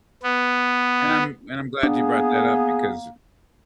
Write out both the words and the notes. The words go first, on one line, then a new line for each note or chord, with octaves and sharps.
And I'm and I'm glad you brought that up, because i
B3
A#3 B3 D4 G#4